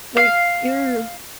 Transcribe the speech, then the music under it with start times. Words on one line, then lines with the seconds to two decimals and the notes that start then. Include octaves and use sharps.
like, you're
0.17 F5